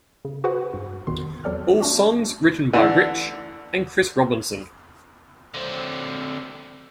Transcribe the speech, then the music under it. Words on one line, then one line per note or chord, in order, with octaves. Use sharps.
All songs written by Rich and Chris Robinson.
C#3
F#4 G#4 B4 C5 F#5
G2
G#1 E2 B2 D#3 C6
E2 F#3 A4 D5 G5 F6
A3 C#4 D4 F#4 G4
D3 E3
D3 C4